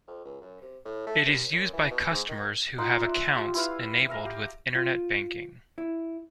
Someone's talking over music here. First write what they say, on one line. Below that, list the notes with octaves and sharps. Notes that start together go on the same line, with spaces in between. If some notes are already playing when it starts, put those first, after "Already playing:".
It is used by customers who have accounts enabled with Internet banking.
F2
C#2
F#2
C3
A2
A3
D#2
F#2
E3
B2
G#2
D#3
D#4 F4 F#5 C6
D5 E5
F4 G4
E4 B4 F5
E5 F5 A#5
G4
F4
E4